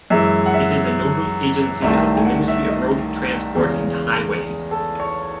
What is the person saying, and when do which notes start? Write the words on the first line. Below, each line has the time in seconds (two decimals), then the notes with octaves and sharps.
It is a nodal agency of the Ministry of Road Transport and Highways.
0.10 F#2 E3 G#3 E5
0.46 F#5
0.54 E5
1.82 C2 C3 D#3 A3 E5
2.17 G#5
2.26 F#5
2.48 E5
2.69 D#5
3.55 E2 C#3 G#3
4.71 A4
5.00 C#5